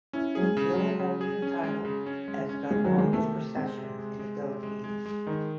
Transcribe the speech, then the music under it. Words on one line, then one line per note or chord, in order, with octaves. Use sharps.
Still, holding the title as the longest procession in the Philippines.
C#4 E4
F#3 G#4
G#3
C#3
F#3
G#3
C#3
G#4
C#4
G#3
C#3
C#4
G#3
C#4
C3 G#3
F#3
D#3
G#3
C3 A3
C3
G#3 C4
C3
G#3
G#3
C3
G#3
G#3
G#3
D#3 D#4